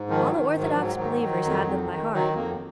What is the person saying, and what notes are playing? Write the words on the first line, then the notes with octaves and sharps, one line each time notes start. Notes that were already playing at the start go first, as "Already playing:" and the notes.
All the orthodox believers have them by heart.
Already playing: G#2
D#3 F3
F#3
D#3
G#2
F#3
F3
G#2 F#3
D#3
D#3
F2
F2
D#3
D#3 F#3
F2 A#3